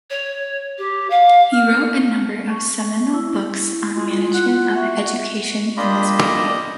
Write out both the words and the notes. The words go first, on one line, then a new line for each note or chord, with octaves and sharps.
He wrote a number of seminal books on management of education in this period.
C#5
G4
F5
F6
C#6
E4
G#3 F4
F#5
F#4 E5 F#5
A#3 D4 F4 G4 D#5 B5